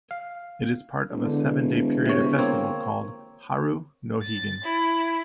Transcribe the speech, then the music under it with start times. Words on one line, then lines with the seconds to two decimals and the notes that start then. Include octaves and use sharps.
It is part of a seven-day period of festival called Haru no Higan.
0.11 F5
1.11 E1
1.25 D3
2.06 C3 C#5
2.39 A#3 C4 C#5
4.22 A6
4.64 E4